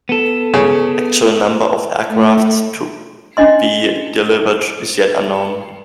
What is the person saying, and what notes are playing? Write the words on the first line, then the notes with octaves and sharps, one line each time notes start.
Actual number of aircraft to be delivered is yet unknown.
B3 A4
C#3
A3
C#4 D4 D#5 C6